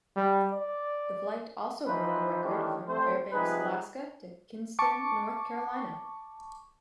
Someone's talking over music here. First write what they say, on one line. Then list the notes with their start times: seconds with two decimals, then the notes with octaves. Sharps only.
The flight also broke a record from Fairbanks, Alaska to Kinston, North Carolina.
0.16 G3
0.53 D5
1.86 E3 F3 D#4 B4 C5
2.43 D#3 E3 A3 C#4 D4 G4
2.88 C2 A3 C4 C5
3.33 C3 F3 D#4 G#4 B4
4.79 A5 C#6 D6